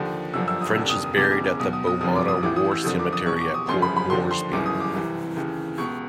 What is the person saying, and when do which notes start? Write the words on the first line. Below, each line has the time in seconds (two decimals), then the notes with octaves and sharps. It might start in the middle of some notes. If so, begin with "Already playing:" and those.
French is buried at the Bomana War Cemetery at Port Moresby.
Already playing: D#2 D3 F3
0.33 G1 F#2 D3 F3 E6
0.48 E6
0.61 D#6
0.75 F1 D#2 D3 E6
0.89 D#6
1.04 D#6
1.17 E1 E2 C#3 D6
1.31 D6
1.45 D6
1.59 B1 B2 D#6
1.73 D#6
1.87 D#6
2.01 F1 F2 D3 F3 D#6
2.15 D6
2.28 D#6
2.43 A1 A2 E3 D6
2.56 D#6
2.71 E6
2.84 F#1 F2 D3 F3 D#6
2.99 D6
3.13 D#6
3.26 E2 B2 C#6
3.36 C#6
3.40 D6
3.54 D#6
3.68 G1 F#2 C#3 F3 C6
3.82 B5
3.96 B5
4.10 D#2 D3 F3 C6
4.31 C6
4.52 G1 F#2 C#3 E3 D6
4.66 D#6
4.80 D6
4.94 C2 C3 E3
5.36 D#2 C#3 E3
5.78 C#2 B2 C#6